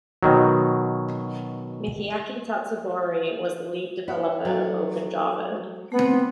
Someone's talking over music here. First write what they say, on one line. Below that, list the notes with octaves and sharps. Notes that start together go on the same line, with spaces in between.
Michiaki Tatsubori was the lead developer of OpenJava.
B2 D#3 F#3
E4 B4 C#5 G5
F#3 A4
A3 B3 C4 F#5